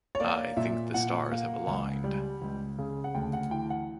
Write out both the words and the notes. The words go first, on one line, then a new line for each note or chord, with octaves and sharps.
I think the stars have aligned.
C#5
A#3 D5
A#2 E5
A#2 F#5
A#3
C#2
G3
C#2
C#3
F#5
D2 G5
F#5
E3 G5
F#5